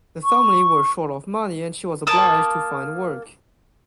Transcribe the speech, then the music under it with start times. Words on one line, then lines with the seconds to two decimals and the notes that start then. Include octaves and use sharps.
The family were short of money and she was obliged to find work.
0.24 C#6
2.07 A#3 A5 D#6